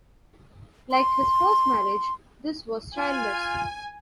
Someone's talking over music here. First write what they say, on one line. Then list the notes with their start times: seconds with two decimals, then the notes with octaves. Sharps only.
Like his first marriage, this was childless.
0.92 C6
2.97 F4 G#5